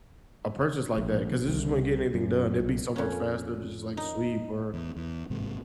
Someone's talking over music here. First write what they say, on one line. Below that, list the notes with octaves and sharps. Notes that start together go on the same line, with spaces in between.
a purchase like that 'cause it just wouldn't get anything done, it'd be so much faster to just, like, sweep or
A#1
C2
F#2
B1
F2 C#4
D#4
E2
E2
A1 G#2 C3